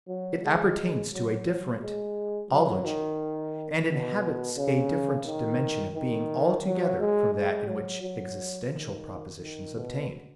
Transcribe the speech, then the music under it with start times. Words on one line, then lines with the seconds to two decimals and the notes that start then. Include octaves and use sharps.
It appertains to a different "-ology," and inhabits a different dimension of being altogether from that in which existential propositions obtain.
0.08 F#3
0.43 G#3
1.13 F#3
1.47 F#3
1.81 G#3
2.51 F#3
2.85 D#3
3.88 B2
4.57 C#3
5.27 D#3
5.95 D#3
6.65 F#3
7.00 G#3
7.34 G#3
7.68 F#3
8.02 F#3
8.72 D#3
9.40 D#3
9.76 B2